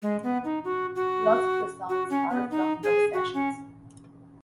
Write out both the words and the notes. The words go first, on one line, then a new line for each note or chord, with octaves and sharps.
Lots of the songs are from those sessions.
G#3
B3
D#4
F#4
F#4
F#4
C#4
B3
D#4
G#4
F#4
C#4